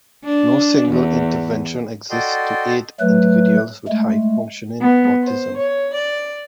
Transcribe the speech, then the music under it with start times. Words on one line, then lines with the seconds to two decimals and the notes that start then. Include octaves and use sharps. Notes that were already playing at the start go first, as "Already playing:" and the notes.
No single intervention exists to aid individuals with high-functioning autism.
0.24 D4
0.88 E2
2.10 F#4 A4 D5 D#5 G5 C6
3.00 F#3 A3 B4
3.88 G#3 A3
4.80 B3
5.23 C5
5.56 C#5
5.92 D5